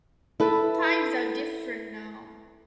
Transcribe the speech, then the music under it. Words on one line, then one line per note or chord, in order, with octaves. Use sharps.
Times are different now.
E4 A4 B4